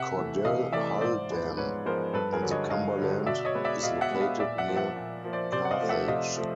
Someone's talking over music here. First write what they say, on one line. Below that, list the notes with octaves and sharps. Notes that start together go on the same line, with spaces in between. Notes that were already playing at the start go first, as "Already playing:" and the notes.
Cordell Hull Dam on the Cumberland is located near Carthage.
Already playing: C3 E5 F#5
E3 A3
C3 D#5 F5
E3 A3 D5 E5
G#2 C5 D5
F3 G#3 B3
G#2 B4 C#5
F3 G#3 B3 A#4 C5
G2 A4 B4
G#4 A#4
D3 F#3
C#5 D#5
G2 D#5 F5
D3 F#3
B2 D5 E5
C#5 D#5
G#3 B3
D5 E5
B2 D#5 F5
E5 F#5
G#3 B3
D#5 F5
A#2 D5 E5
E5 F#5
F3 A#3
E5 F#5
A#2
F3 A#3
C5 D5
C3 C5 D5
F#5
D#5 F5
F3 A3
E5 F#5
C3 D#5 F5
F3 A3